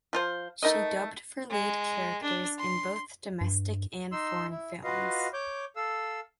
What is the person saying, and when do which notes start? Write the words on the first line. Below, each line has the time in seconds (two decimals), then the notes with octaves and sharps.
She dubbed for lead characters in both domestic and foreign films.
0.13 F3 F4 C5
0.63 A3 D#4 A#4 D#5
1.50 G#3
2.23 D4
2.58 C6
3.41 G2
4.12 D#4 C6 E6
4.50 E4
4.84 F4 F#4 B4 D#5 F5
5.33 C#5 D6 G6
5.76 A4 F5 E6